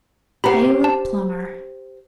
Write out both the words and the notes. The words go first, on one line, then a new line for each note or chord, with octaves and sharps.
'Caleb Plummer.
G4 C5 F#5 A#5 B5
A5